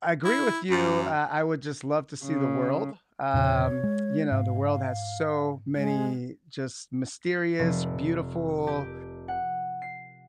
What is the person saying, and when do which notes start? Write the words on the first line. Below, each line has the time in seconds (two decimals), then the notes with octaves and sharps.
I agree with you, uh, I would just love to see the world, um, you know, the world has so many just mysterious, beautiful,
0.25 E4
0.70 F#2
2.25 C#3
3.34 E2 A#2 C#3 C#5
3.84 G#3
4.31 G#2 F5
5.75 G#3
7.59 F1
8.67 G4
9.28 F#5
9.82 C7